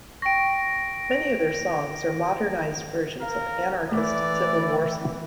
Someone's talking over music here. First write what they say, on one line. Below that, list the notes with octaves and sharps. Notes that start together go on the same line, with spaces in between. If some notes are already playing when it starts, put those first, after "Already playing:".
Many of their songs are modernized versions of anarchist civil war songs.
G5 C#6 A#6 D7
A#4 F5
E3 A3 D5